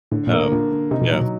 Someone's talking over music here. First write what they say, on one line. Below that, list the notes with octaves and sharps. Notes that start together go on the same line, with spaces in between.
Um, yeah.
A2 D3
A#2
A2 A#3
A#2 D3
D3
C3 D#4
B2
A#2 F#3
B2